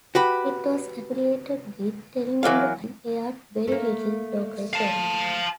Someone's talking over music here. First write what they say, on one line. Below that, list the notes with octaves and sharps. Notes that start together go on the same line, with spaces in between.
It was affiliated with Telemundo and aired very little local programming.
F#4 G4 B4
E3 F#3 A#3 F5
A3 A#3
F5 A5